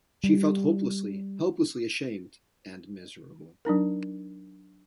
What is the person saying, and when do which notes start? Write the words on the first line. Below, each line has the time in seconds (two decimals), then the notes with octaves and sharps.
She felt hopelessly, helplessly ashamed and miserable.
0.24 G3
3.65 F#3 D4 D#4 A#4